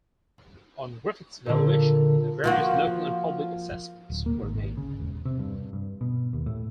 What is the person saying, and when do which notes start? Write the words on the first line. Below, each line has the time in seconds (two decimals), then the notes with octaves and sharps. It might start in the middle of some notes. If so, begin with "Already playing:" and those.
On Griffith's valuation the various local and public assessments were made.
1.46 A#2 D3
2.44 F3 A#3 F#4
4.10 D1
4.26 A#3
4.43 G#1
4.77 C#3
5.00 E1
5.25 C3
5.39 G2
5.73 G2
6.01 B2
6.33 D#2
6.46 A2